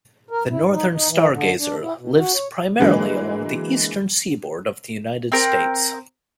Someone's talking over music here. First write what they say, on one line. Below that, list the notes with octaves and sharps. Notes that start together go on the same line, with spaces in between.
The northern stargazer lives primarily along the eastern seaboard of the United States.
A#4
E4
D#4
D#4
E3
D3
D4
E4
B2
F#4
C#5
D3 E3 F#3 G#3 A#3
C4 A#4